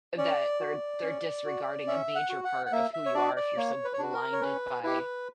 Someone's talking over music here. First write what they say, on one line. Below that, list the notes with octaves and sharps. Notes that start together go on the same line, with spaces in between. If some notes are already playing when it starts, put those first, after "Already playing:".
that they're they're disregarding a major part of who you are if you're so blinded by
C#4 D5
F#4
C#4
F#4
C#4 E5
F#5
F#4
F#5
F#5
A#3 E5
E5
C#5
D4 F#4 D5
D5
A#3 C#5
B4
C#5
D4 F#4 B4
A#4
C#5
C#4 B4
E4 G4 B4